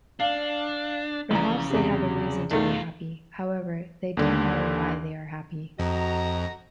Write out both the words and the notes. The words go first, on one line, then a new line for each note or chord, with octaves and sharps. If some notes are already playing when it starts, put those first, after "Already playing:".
Perhaps they have a reason to be happy; however, they don’t know why they are happy.
D4 F5
A#1 C#3 E3 A#5
E2 C3
B1 E2 D#3 A3 F4
D#2 D3
F2 F#4 D#5 A#5